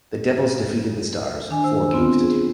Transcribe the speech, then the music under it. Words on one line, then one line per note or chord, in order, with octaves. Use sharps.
The Devils defeated the Stars, four games to two.
D#3 D4 G#5
C5 E6
B3 C4 F4
G#4